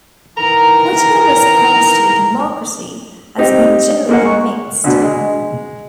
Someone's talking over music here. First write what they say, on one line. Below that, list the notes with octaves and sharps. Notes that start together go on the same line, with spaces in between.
Critical response to "Democracy" has been generally mixed.
D#3 E3 A#4 A#5
C4 D#4 G4
G#3 A#3 F#5
C#6
D2 B2
G#3